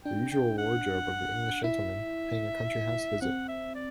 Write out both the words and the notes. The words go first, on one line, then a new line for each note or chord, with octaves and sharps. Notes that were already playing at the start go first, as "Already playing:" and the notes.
The usual wardrobe of the English gentleman paying a country-house visit.
D4 G5
G5
F#5
E4 E5
C4 F#5
E5
D5